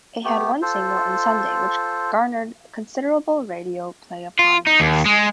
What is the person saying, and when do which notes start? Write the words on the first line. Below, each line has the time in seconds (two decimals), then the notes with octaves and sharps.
It had one single in "Sunday" which garnered considerable radio play upon release.
0.24 A3 B3 G4
0.62 F4 A4 C5
4.39 F4
4.67 D#4
4.80 D#2
5.06 G#3